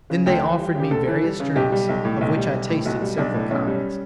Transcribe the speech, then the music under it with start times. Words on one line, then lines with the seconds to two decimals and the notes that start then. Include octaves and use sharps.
Then they offered me various drinks, of which I tasted several kinds.
0.10 C#3
0.26 D2 G5
0.42 E3
0.59 G3
0.75 C#3 G4
0.91 D2 A4
1.07 E3
1.24 G3
1.40 C#3
1.56 B1 G4
1.72 G3
1.89 B1
2.05 A2
2.21 B1
2.36 G3
2.54 B1
2.69 A2
2.85 B1 F#4
3.02 G3
3.18 B1 D4
3.34 A2
3.50 B1 C#4
3.67 G3